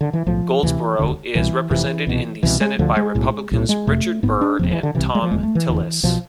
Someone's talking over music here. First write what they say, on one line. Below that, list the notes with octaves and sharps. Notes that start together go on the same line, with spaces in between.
Goldsboro is represented in the Senate by Republicans Richard Burr and Thom Tillis.
D3
E3
B1 A2 F3
D2 C3 E3
E1 D2 D3
C2 B2 E3
F1 F2 C3 E3
C2 B2
C2 B2 E3
G#3
D2 D3 F3
G#3
B1 A2
B1 A2
G#3
F1 F2 C3 A3
G#1 G#2 B3
D4
F1 E2 C3 F3
E3
D3
C2 C3 E3
G#3
F3
F1 E2 D3 G#3
A3
E3
F1 E2 D3
B1 B2 F3